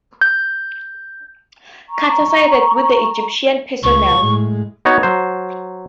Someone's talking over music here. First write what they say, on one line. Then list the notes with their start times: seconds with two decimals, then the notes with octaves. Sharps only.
Carter sided with the Egyptian personnel.
0.21 G6
1.89 A#5 C#6
3.83 C#2 C#6
4.18 A2 G#3
4.85 B3 D#4 F#4 C#5
5.03 F#3 C5